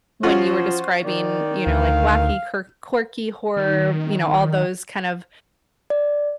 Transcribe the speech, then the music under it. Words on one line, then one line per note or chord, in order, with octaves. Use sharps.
When you were describing, you know, like wacky, kirk quirky, horror, you know, all those kind of
F3 C#4 F4 F#4 C5
D#3 D5
D2 F5
D#3
D5